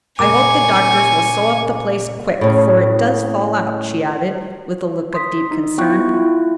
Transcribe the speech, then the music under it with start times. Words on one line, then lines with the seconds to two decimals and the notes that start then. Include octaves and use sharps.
"I hope the doctors will sew up the place quick 'fore it does fall out," she added, with a look of deep concern.
0.19 A#2 C#3 G#5 C#6 D6
2.41 A2 C#3
5.14 C6 D#6 B6
5.51 D#4
5.78 B3 E4 F4 G5 C#6 F#6
6.14 E4 F4